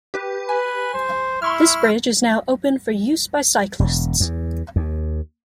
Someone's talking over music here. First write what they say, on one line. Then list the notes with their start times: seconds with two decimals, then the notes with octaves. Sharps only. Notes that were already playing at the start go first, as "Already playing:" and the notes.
This bridge is now open for use by cyclists.
0.14 G4 B4
0.49 B4 G#5
0.94 C5
1.42 E4 C6 C#6 F6
3.79 E1
4.20 E2
4.76 D#2